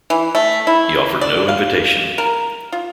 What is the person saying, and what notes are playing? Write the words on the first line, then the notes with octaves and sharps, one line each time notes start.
He offered no invitation.
E3
A3
E4
D5
F5
A#4
F4